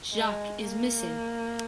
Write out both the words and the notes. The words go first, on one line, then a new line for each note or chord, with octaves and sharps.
Jacques is missing!
G#3
A#3